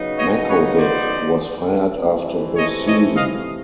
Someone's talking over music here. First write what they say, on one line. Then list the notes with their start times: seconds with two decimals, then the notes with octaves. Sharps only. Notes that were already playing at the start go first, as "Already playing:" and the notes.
Mackovic was fired after the season.
Already playing: C#3 F#3 B3 D#4
0.17 C#5 D#5
0.47 B4 C#5
0.77 C5 D5
1.96 C3 E3 A3 C4
2.56 C#5 D#5
2.86 C#5 D#5
3.16 D#5 F5